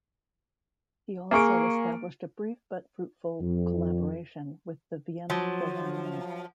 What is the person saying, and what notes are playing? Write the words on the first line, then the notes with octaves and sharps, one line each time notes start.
He also established a brief but fruitful collaboration with the Vienna Philharmonic.
A#3 G#4 C#6 D7
F2
F3 F#3